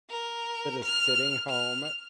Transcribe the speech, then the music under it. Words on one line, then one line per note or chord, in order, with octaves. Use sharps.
that is sitting home
A#4
F6
F6